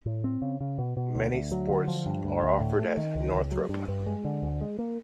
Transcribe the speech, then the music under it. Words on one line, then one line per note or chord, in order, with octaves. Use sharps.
Many sports are offered at Northrop.
A2
C4
C#3
C#3
B2
B2
D2
D2
F#3
D3
F3
G2
D2
D2
A2
A3
D#3
C#2
C#2
F#3
G2
G2
G#3
D3
D2
G#3
A#3